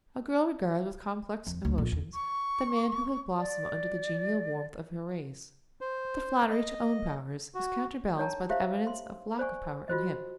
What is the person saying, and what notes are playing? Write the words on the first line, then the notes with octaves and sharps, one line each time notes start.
A girl regards with complex emotions the man who has blossomed under the genial warmth of her rays; the flattery to own powers is counterbalanced by the evidence of lack of power in him.
F2
D2
A#1
E2
C#6
D5
C5
D#5
F#4
D4 D#4 C#5 G5 A5 A#5
G4 C5 E5 F5
C6
C5 D5 G#5 C#6
F4 F#4 C5 D#5